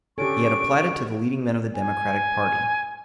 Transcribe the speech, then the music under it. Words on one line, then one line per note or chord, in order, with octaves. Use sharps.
He had applied it to the leading men of the Democratic party.
D3 C#4 G4 A4 C#6 D7
G#5